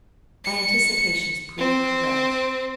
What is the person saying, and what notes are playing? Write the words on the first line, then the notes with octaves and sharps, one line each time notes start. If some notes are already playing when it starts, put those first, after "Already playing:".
My anticipations proved correct.
C#7
C4